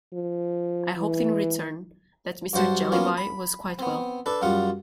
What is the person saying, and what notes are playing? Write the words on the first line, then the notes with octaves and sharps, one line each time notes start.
I hoped in return that Mr. Jellyby was quite well.
F3
E3
G2 F#3 C5 F#5 A5
F#3 A#3 B3 C#4 F4
B5
B3 C4
D4 A4 B4
F#2 G3 F4 F#5